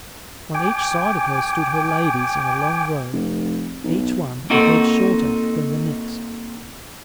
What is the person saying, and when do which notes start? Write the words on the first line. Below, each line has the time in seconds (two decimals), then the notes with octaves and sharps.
On each side of her stood her ladies in a long row, each one a head shorter than the next.
0.54 G5 G#5 D6
3.14 F1
3.84 B1
4.50 A#3 C4 D#4 F#4 A4 A#4